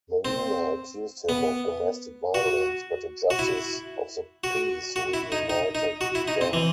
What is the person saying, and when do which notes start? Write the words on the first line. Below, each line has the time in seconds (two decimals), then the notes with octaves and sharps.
Marina accused him of domestic violence, but a justice of the peace reunited them.
0.25 C4
1.29 B3
2.34 F#4
3.30 F#4
3.39 E4
4.44 F#4
4.96 F#4
5.14 E4
5.32 D#4
5.50 D#4
5.75 D#4
6.01 F#4
6.15 E4
6.28 D#4
6.41 C4
6.53 E3